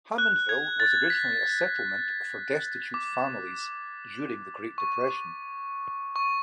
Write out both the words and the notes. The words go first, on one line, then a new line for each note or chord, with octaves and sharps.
Hammondville was originally a settlement for destitute families during the Great Depression.
F#6
G#6
A6
B6
D6
C#6
C#6